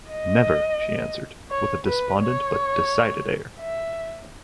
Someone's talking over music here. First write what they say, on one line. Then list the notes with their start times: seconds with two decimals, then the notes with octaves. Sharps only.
"Never," she answered, with a despondent but decided air.
0.12 D#5
1.51 C#5
1.86 B4
2.20 C#5
3.59 E5